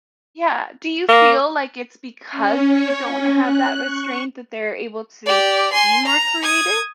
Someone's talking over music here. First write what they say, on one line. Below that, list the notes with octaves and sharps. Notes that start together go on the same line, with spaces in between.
Yeah, do you feel like it's because they don't have that restraint that they're able to be more creative?
A#3
C#4
C#5
C#4
F#6
C#6
G4 D5
G#5 C6
A#5
D#6 G#6